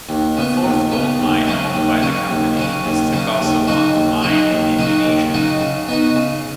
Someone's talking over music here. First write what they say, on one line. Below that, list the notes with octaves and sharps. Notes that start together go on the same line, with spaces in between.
A fourth gold mine owned by the company is the Gosowong Mine in Indonesia.
D#2
C#3 B3
D#2
C#3 B3
D#2
C#3 F#3 C#4
D#2
C#3 F#3 C#4
D#2
C#3 F#3 C#4
D#2
C#3 F#3 C#4
D#2
C#3 F#3 D#4 F#4
D#2
C#3 F#3 D#4 F#4
D#2
C#3 F#3 D#4 F#4
D#2
C#3 F#3 D#4 F#4
C#3
B3 D#4 F#4
C#3